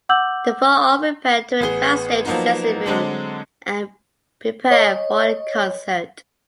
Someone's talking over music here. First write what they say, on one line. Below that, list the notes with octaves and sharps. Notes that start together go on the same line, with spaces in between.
The four all repair to a backstage dressing room and prepare for a concert.
F#5 D6 E6 G6 F#7
A1 B3 G#4 G7
F3 F#3 A#3 B3 D#4
D3 F#3 G#3 C4 D4
C#5 D#5